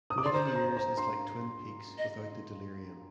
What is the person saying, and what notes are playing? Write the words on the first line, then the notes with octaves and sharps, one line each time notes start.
"Golden Years" is like "Twin Peaks" without the delirium.
D#6
D6
D5 C6
C5 A#5
A#5
A#5
C6
D#5